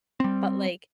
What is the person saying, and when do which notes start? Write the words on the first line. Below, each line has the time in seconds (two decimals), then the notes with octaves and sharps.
But like
0.20 G3 C4